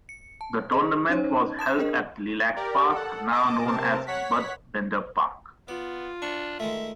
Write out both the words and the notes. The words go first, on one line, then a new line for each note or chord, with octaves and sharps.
The Tournament was held at Lilac Park, now known as Bud Bender Park.
C#7
A5
G#4 D#5
C#4 D#4 C5 C#5
A5 D#6 E7
D4 G#4 A#4 D#5
G4 A#4 D5
A4 F#5
D#5 A5 D6
C3 C4 A#4 A5
C#5 F#5 B6
B3 F4 D5
D4 C#6
D#3 G#3 A3 E5